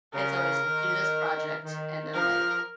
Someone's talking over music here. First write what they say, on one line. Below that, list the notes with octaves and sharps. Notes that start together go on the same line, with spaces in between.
It's always, "Do this project," and then, like,
C#3 A#4
D#3
D#3
F3 A#4